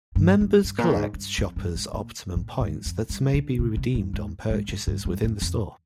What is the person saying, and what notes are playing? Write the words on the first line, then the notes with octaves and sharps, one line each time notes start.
Members collect Shoppers Optimum points that may be redeemed on purchases within the store.
G2
G2
G2
A#2
G#2
G2
F2
G2
G#2
A#2
A#2
G#2
F2
G2
D3
C3
C3
G2
G#2
G#2
G#2
G2
G2
F2
F2